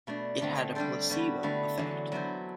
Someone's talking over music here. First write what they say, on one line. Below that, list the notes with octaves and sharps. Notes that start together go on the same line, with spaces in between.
It had a placebo effect.
B2 A3 D4
D3 A3 C4
G3 D4 A4 C5
G3 B3 F#4
D3 A3 E4
E2 D3 F#3
F#3 B3 E4 A4 C5